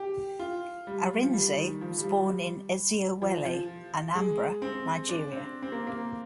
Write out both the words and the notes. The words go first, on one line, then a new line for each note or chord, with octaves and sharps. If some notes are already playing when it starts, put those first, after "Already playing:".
Arinze was born in Eziowelle, Anambra, Nigeria.
Already playing: G4
F4
G3
F3
G3
D#3
F3
G3
F3
G3
F3
F3
G#3
C4
D4
C4
C4
A#3
A#3